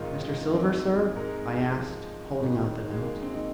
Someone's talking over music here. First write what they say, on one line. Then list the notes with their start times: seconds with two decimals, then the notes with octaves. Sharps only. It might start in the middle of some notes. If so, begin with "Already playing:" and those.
"Mr. Silver, sir?" I asked, holding out the note.
Already playing: G#1 G#2 D#3 F4
0.22 D#4
0.42 A#3
0.53 C4
1.15 G#2 G#3 D#4 A#4
1.77 F3
2.40 G#1 G#2 D#3
2.91 G#3
3.02 A#3
3.23 C4
3.33 D#4